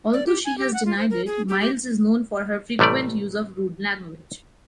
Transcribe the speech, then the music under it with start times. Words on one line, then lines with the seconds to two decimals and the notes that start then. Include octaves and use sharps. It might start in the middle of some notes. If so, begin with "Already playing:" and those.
Although she has denied it, Miles is known for her frequent use of rude language.
0.13 D5
0.26 G4
0.45 G#5
0.58 G4
0.74 F#5
0.85 F4
0.98 C5
1.10 A#4
1.26 G#4
1.49 G4
1.60 G4
2.79 A1 C3 G3 A3 D5